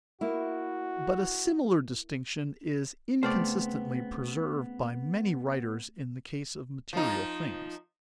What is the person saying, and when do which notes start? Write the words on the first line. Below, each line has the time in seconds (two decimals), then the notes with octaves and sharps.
But a similar distinction is inconsistently preserved by many writers in the case of material things.
0.21 A#3 E4 F#4
3.23 C#3 A3 B3 C4 C5 D5 F6
6.93 F3 D#4